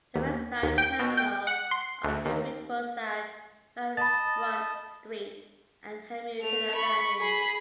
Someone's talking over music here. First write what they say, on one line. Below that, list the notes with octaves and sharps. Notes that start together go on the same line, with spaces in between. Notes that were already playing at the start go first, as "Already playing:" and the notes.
The westbound terminal of the route was at Van Brunt Street and Hamilton Avenue.
D#2
D#2
G5
B2
G5
F#5
C6
D2
D#2
D#5 A5 B5 A6
A3 F7
B5 C#6
G#4 B5